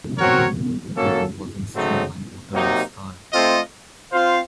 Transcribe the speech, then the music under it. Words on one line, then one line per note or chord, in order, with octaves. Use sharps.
The building was in Streamline Moderne style.
F#3 C4 F#4 A#4 C#5
F#3 A#3 C#4 A4
C#3 F#3 A3 C4 D#4
C3 F#3 A#3 D#4
A3 C4 F4 A4 D#5
C4 F4 C5 F5